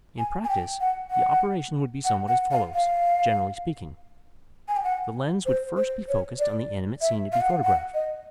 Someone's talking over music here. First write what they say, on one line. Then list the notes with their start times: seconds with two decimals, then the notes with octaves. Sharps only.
In practice, the operation would be somewhat as follows, generally speaking: The lens would first be focussed on the animate scene to be photographed.
0.18 G#5
0.44 G#5
0.49 G5
0.80 F#5
1.11 F#5
2.05 F#5
2.28 F#5
2.51 F5
2.75 F5
4.68 G#5
4.77 G5
4.84 F#5
5.46 C5
5.77 C5
6.08 C#5
6.39 D5
7.01 E5
7.32 F5
7.41 F#5
7.50 F5
7.63 F#5
7.94 D#5